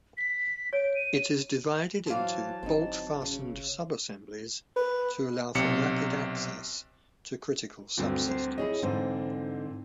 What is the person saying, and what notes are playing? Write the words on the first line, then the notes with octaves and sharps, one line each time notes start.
It is divided into bolt-fastened sub-assemblies to allow for rapid access to critical subsystems.
B6
C#5 D7
D#7
E3 F#3 C5 F5 A5
G1 C4 D#4
C#3
B4
B1 C3 C#7
D2 G2 D3 C4 F#4
C5
E4 G#4 C#5 D#5
G#2 D3 E3 C4 C5